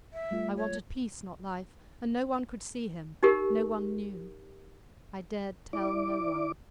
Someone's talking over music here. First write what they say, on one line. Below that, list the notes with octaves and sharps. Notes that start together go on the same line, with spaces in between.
I wanted peace, not life. And no one could see him; no one knew--I dared tell no one.
E5
G3 A3 F4
C#5
D#4 G4 A#4
E4 D5 D6